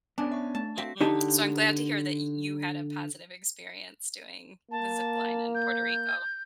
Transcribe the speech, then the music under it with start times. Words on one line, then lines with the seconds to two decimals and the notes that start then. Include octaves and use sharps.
Mm-mm. So, I'm glad to hear that you had a positive experience doing the zip line in Puerto Rico.
0.18 B3 C#4 D4 D5 G#5
0.32 E5 C#6
0.55 A3 A5
0.78 C4 F#4 E5 F5 B6
1.01 D3 D#4 G4 A5
4.71 A#3 A5
5.55 G6